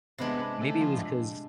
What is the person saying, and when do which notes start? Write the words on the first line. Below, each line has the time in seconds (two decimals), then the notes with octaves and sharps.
maybe it was 'cause
0.18 C3 G#3 B3 D4
0.61 A3
0.81 F3
0.97 A2